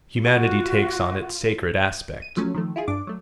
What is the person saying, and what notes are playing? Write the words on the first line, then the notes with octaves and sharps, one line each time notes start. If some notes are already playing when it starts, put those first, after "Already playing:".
Humanity takes on its sacred aspect.
F4 F#4
D#7
F3 F#3 A3 C#4
D#3 F3 A3
E4 F4 G#4
G2 D4 D6
F#3 A3